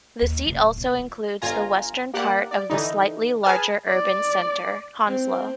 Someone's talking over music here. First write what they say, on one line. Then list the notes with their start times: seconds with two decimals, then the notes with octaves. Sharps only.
The seat also includes the western part of the slightly larger urban centre, Hounslow.
0.22 D#2
0.46 F1
0.60 D1
0.78 B2
0.99 F4
1.42 G1 F4 G#5 A#5
2.14 A#3 G4 D5 F#5
2.51 D5
2.70 D3 E3 D#4
3.43 G#4 B4 G#5 A5 F6
3.88 D5
5.07 C4